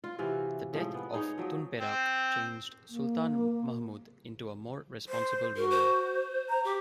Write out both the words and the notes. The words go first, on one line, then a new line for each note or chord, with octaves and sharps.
The death of Tun Perak changed Sultan Mahmud into a more responsible ruler.
F4
C3 E3 F4 F#4
A2 F3 G#3
B3
D#4 G#4 C#5
F3 F#3
C4
A#3
C5
F#4 A#4
C5
A#5
G4 D6